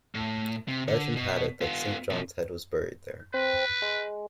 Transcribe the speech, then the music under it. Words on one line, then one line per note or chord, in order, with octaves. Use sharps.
Legend had it that Saint John's head was buried there.
A2
C3
D3
B2
B3 F4
B2 F3
C4 B4
G#3